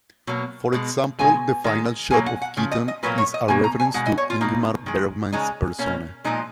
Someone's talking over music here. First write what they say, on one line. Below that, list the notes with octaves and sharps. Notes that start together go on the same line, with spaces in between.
For example, the final shot of Keaton is a reference to Ingmar Bergman's "Persona".
B2 F#3 A#3
B2 G#3
B2 G#3 G#5
D#3 G#3
B2 F#3 A#3 G#5
F#5
F#5
C#3 F3
D#5
D#5
A#2 F#3 A#3 B4
C#5
D#5
B2 A#3 G#5
A#5
G#5
B2 G#3 F#5
D#5
C#5
F4
B2 A#3 D#4
D#3 G#3
C#3 G#3 D#4
B2 A#3 C#4
A#2 F3 G#3 D#4